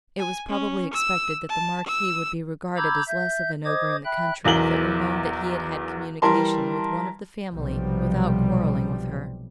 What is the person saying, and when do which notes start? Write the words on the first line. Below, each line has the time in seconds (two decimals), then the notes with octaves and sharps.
It was probably expected that the Marquis would be regarded as less of an ogre in the country if it were known that he had had communication with one of the family without quarrelling with her.
0.18 G#5
0.49 C#4
0.93 E6
1.49 A5
1.87 E6
2.77 A#5 B5 D6 E6 G6 G#6
3.07 E5 G6
3.65 C5 D#5 D6 D#6 G#6
4.05 E5 G5 B5 F#6
4.44 B1 E2 E3 A#4 F#7 G7
6.22 E3 G3 A#4 A5 C6
7.53 B1 C3 F3 G3